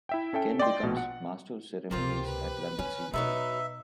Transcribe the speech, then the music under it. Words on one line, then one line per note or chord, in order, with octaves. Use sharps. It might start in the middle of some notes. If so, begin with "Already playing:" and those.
Ken becomes Master of Ceremonies at London Sea World.
E4 E5 G5
C#4 A4 E5 G5
D5 D#5 G5 C6 D6
A#1 B2
F#5
C#2 C3 A#3 C4 F4 G4
B4
D3 C#4
B2 F#3 B3 D#4 B4 E5